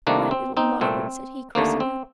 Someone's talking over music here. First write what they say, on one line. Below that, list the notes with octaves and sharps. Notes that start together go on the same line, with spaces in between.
'My little Margaret!' said he, caressing her.
C2 C3 D#3 A3 A#3 D4
C4
C4 D#4
C2 A#2 A3 C4
D#2 D3 A3 A#3
C4